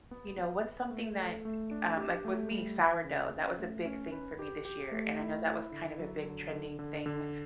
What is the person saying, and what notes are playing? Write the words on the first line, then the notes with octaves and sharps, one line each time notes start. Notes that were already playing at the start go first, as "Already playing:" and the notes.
you know, what's something that, e eh, um, like, with me, sourdough, that was a big thing for me this year. And I know that was kind of a big trending thing,
B3
B3
B3
A3
A4
A3
D4
G4
A3
G3
E3
C#3
C#4
A3
C#4
B4
G4
G4
A3
E4
E4
D3
F#3
D3
D3
D3
D3